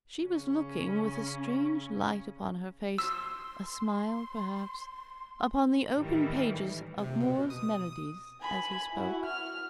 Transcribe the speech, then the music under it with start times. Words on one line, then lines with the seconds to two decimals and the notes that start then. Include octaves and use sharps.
She was looking, with a strange light upon her face--a smile, perhaps--upon the open pages of 'Moore's Melodies' as he spoke.
0.22 C#3 C#4
2.98 C6 E6
5.93 A2 D#3 E3 G3
6.98 C3
7.20 B2
7.50 D#6
8.41 G#5 B5
8.92 E4 F#4
9.25 F6